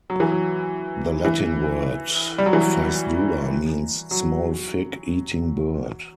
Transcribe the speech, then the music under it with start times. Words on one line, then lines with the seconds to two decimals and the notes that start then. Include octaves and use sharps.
The Latin word "ficedula" means "small fig-eating bird".
0.10 F#3
0.20 E3
0.32 F#3
1.25 E3
2.38 G3
2.46 F#3
2.53 E3
2.61 F#3
4.11 F#3